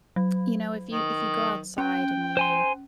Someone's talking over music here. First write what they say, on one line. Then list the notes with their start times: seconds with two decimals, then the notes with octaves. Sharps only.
you know, if you if you go outside and you
0.16 F#3
0.89 D#3
1.78 C#4 G5
2.37 C5 G#5 C6